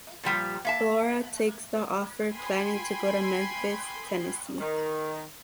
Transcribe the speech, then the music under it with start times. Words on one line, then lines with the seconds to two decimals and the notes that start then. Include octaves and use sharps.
Flora takes the offer, planning to go to Memphis, Tennessee.
0.23 A#2 F3 G3 G4
0.65 A#3 E5 A5
2.30 G5 G#5 B5 C6 G#6
4.60 D#3